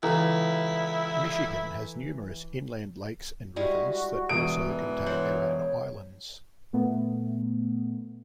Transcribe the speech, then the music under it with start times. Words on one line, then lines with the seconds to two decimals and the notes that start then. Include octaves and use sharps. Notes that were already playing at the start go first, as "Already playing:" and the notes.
Michigan has numerous inland lakes and rivers that also contain their own islands.
0.03 C#2 E3 E4 A4 A#5
3.56 G3 G#3 E4 F#4
4.29 E1 E3 D#6 D7
5.06 C5 C#5 F#5
6.73 A#2 A3 B3